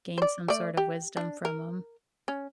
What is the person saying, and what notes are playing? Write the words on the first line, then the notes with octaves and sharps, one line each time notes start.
gain some sort of wisdom from 'em.
C5 D5
A3 D5
G4
D4
A#4
C#4